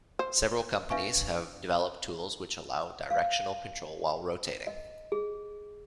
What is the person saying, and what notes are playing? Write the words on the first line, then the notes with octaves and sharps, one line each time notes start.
Several companies have developed tools which allow directional control while rotating.
C5
D4 B4 E5 F5 G#5 C#6
F5
D#5
G#4